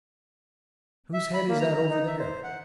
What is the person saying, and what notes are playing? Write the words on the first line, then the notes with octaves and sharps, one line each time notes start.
"Whose head is that over there?"
E5
B5
A#3
A#5
A#5
D#4
E5
C5
F#5